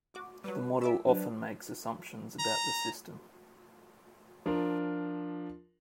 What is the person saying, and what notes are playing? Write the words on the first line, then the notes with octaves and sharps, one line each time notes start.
The model often makes assumptions about the system.
F#4 D6
F#3 G3 B4
F4 E5 D6 E6
F#3 D4 B4
A#5
F3 D4 F4 A#4